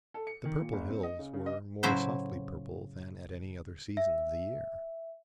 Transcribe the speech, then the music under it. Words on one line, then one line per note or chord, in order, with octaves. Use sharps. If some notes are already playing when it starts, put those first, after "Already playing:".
The Purple Hills were more softly purple than at any other season of the year.
A4
C#7
D#3
A#2
F#1
C4
D#5
C#3
C#3
D#5
A2 C#3 F#3 E4 C5
E5